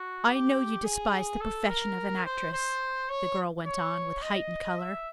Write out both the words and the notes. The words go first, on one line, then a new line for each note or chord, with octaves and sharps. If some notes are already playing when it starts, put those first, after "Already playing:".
"I know you despise the profession of an actress," the girl went on with heightened colour.
Already playing: F#4
G4
G#4
A4
A#4
C5
C5
C#5
C#5
D#5
E5